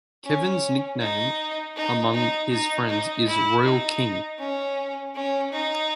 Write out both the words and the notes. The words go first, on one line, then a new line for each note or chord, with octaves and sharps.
Kevin's nickname among his friends is "King Royal".
C#4
D#4
D#4
D#4
D#4
D#4
E4
D#4
C#4
C#4
D#4